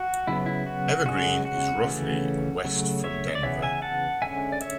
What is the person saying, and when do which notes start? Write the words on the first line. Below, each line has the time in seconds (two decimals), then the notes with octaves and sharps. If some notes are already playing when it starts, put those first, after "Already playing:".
Evergreen is roughly west from Denver.
Already playing: F#4
0.27 C#3 F#3 B3 E4
0.46 E4
0.66 F#4
1.06 C#3 G#3 C#4 F#4
1.45 F#4
1.85 C#3 E3 A3 C#4
2.65 C#3 F#3 A3
3.04 C#5 E5
3.35 D5
3.43 C#3 E3 B3 C#5 E5
3.62 E5 G#5
3.82 F#5 A5
4.22 D3 G#3 C#4 E5 G#5
4.52 D5
4.61 C#5 E5